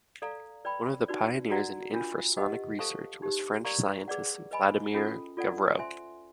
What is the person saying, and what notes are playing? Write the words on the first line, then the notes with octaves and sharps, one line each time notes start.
One of the pioneers in infrasonic research was French scientist Vladimir Gavreau.
A4 D5 F5 A#5
B4 D5 G5 B5
D#4 F#4 B4 D5
F#4 A#4 D5 F#5 A#5
D4 F4 A#4
G4 B4 D#5 F#5
A4 C5 F5 A5 C#6
D#4 G4 C5
A#4 D5 F5 A#5 C#6
G#4 B4 D5 F#5
B4 D#5 G#5 B5
C#4 F4 A4
F4 A4 D5 F#5
C5 E5 G#5 C6